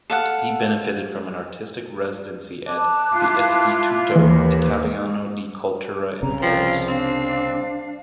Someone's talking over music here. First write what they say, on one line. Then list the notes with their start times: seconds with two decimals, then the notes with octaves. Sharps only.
He benefited from an artistic residency at the Istituto Italiano di Cultura in Paris.
0.10 A4 F5 F#5
2.67 A5 D6 F#6
3.13 E4 F4 F5
4.16 D#2 D#3 E3 A#3 G4 B4
6.23 C2 C#3 A#5
6.42 F3 D5 G5
6.88 C4 D4 F5